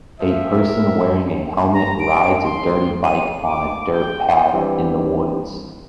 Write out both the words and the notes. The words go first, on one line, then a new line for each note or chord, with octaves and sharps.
A person wearing a helmet rides a dirty bike on a dirt path in the woods.
F3 E5
A#4
A#5
D7
C6
D#7
D6
G5
E3 G3 C4 D4